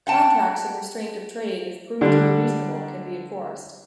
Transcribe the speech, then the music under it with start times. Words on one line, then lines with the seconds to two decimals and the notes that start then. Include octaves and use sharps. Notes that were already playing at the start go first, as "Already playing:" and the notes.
Contracts in restraint of trade if proved to be reasonable can be enforced.
0.07 F#5 G5 A5
2.01 D3 G3 D4